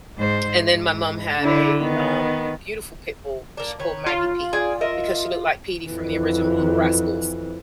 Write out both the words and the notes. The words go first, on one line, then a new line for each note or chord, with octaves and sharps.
And then my mum had a, um, beautiful pit bull that she called Maggie Pete because she looked like Petey from the original Little Rascals.
G#2 C5
G#2
D3 E4
D#3 B3
A#3 D4
D#3 B4 C#5
F4
G#4 D5
A#4 D#5 E5
F2 E3